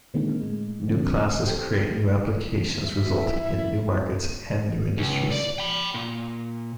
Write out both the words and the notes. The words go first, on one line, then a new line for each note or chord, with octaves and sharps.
New classes create new applications resulting in new markets and new industries.
A#2 D3 D#3 G#3 A#3 C4
A2 G#3
G#2 D3 F3 F#3 C4
G4 A4 C5 G5
E5
F#4
E4
C#2
D5
G5 B5
A#2